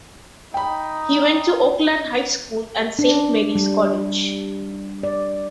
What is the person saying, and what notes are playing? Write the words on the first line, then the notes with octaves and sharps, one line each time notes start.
He went to Oakland High School and Saint Mary's College.
D#4 G5 B5
D4
G3
D5